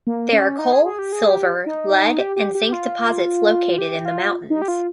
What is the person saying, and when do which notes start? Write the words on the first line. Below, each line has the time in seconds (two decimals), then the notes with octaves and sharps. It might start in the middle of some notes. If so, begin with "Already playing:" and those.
There are coal, silver, lead, and zinc deposits located in the mountains.
0.07 A#3
0.33 C#4
0.59 D#4
0.73 G#4
0.85 G#4
0.99 G4
1.13 G#4
1.31 G4
1.66 D#4
2.18 G4
2.36 G4
2.55 G4
2.73 F4
3.78 G4
4.06 F4
4.50 D#4
4.62 G4
4.68 F4